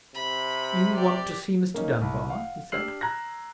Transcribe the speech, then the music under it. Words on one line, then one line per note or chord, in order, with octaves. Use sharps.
"You want to see Mr. Dunbar?" he said.
C3 B5
G4 D5
A#3 C#4 D#4
C2
F5 F#5
D4 G4 E6 F6 C7 F#7
A#5 F#6 G#6 A#6